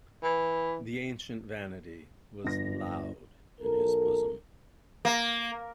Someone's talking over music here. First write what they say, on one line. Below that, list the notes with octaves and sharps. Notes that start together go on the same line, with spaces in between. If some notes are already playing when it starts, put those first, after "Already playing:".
The ancient vanity was loud in his bosom.
E3
G1 A#6
B1 A4 A#4
A#3